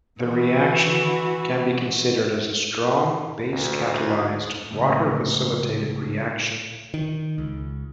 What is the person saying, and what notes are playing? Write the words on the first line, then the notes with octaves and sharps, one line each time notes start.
The reaction can be considered as a strong-base-catalysed, water-facilitated reaction.
E3 F#4
D2
C#2 A2
D#3
C#2